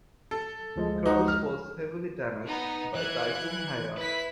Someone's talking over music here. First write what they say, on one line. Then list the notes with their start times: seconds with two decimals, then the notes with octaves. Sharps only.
Carles was heavily damaged by Typhoon Haiyan.
0.31 A4
0.76 D2 F3 G#3
1.06 D#4 F#4
1.28 F6
2.44 B3 D#4
2.95 E3 F#6 G#6
3.97 E4 B4 B6